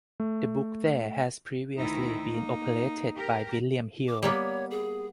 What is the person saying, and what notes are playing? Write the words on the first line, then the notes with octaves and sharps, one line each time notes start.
The book there had previously been operated by William Hill.
A3
D2 D#3 D#4 E4
A#3
G4 A#4
D6
G3 A#3 B3 C#5
G#4